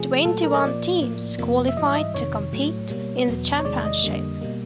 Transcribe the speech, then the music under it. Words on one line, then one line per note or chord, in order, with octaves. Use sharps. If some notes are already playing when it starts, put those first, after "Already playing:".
Twenty one teams qualified to compete in the championship.
Already playing: C3 F3 A3 G#4
A#2 F#3 A3 A4
A#4
D#5
A#2 F3 A#3 D5
A2 F3 A#3
F2 C3 F3 A#3
E5
G#2 E3 G3 D#5
E5
D#5
F2 C3 D#3 C#5
A2 F#3 A3
B2 G3 A#3
E2 B2 F#3 B3
C#5
E2 C3 D#3 G#3 D5
D#5
F2 D3 G3 A#3
B2 G3 A#3